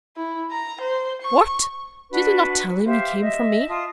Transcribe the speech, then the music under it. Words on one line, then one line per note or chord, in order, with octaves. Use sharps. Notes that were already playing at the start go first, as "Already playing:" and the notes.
"What! did he not tell him he came from me?"
E4
A#5
C5
C#6
D4 F#4 B4
G4 C5 E5 F5
D#5 E5
F4 A5 D#6